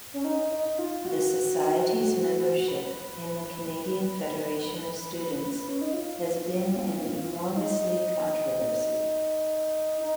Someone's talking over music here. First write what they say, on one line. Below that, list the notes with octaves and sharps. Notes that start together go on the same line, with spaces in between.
The society's membership in the Canadian Federation of Students has been an enormously controversy.
C#4
D#4
D#4
F4
F#4
B4
C#4
D#4
F4
D#4
D#4